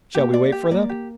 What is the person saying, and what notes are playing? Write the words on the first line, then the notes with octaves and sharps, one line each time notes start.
"Shall we wait for them?"
A#3 G4
D5
G4
A#3 D5
G4